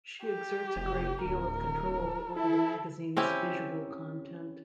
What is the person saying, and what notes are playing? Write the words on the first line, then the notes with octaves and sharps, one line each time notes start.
She exerts a great deal of control over the magazine's visual content.
G4
F1
D1 A#4
E4 A4
C4 C#4 E4 G4